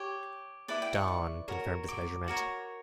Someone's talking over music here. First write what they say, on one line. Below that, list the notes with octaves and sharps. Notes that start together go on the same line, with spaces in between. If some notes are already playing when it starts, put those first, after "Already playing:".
"Dawn" confirmed this measurement.
Already playing: G4 C#5
E4 B4 D5
G5
C#6
C#6
F#4 A#4 C#5
D6
F#4 A#4 C#5